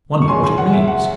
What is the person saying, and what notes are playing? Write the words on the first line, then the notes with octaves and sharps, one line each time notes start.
Wonder what it means!
C#6
F#2 C#3 G#3 G#5 C6
G#5 C6
F#5
E5
F#5